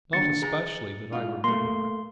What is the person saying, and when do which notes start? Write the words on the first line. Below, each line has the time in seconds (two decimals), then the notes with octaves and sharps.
"Not especially, that I remember."
0.13 D#2 D3 A6 C#7
0.42 G#4 A#5
1.13 G#2 F4
1.44 A3 A#3 C6